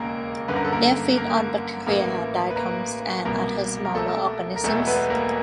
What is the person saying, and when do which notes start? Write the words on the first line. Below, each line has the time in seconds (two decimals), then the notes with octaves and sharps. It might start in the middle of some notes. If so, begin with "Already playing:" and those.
They feed on bacteria, diatoms, and other smaller organisms.
Already playing: E1 D#2 C#3 A#3 A#4
0.48 G1 F#2 D3 B4
0.56 A#4
0.65 A4
0.73 A#3 A#4
1.18 A#3 A#4
1.86 A1 A2 E3 A#3 A#4
2.50 B4
2.56 A#3 A#4
3.25 C2 B2 A#3 A#4
3.85 A#4
3.95 A3 A4
4.56 A#4
4.64 E1 E2 B2 A3 A4
4.87 B3 B4
5.10 A#3 A#4